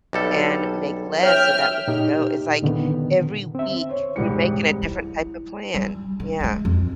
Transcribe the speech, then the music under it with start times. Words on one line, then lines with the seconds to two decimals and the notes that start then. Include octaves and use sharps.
and make less so that we can go" it's like every week, we're making a different type of plan. Yeah.
0.13 B1 G3 A4
1.23 C#5 E5 G5 F6
1.88 A#2 D#4 G4
2.62 A#2 D3 D#3 B3
3.55 C4 E5
3.89 C5 C#5
4.16 E1 C2 G#2 G3 C#7
4.83 E4
5.74 G3
6.20 D3
6.40 G3 G#3
6.65 F2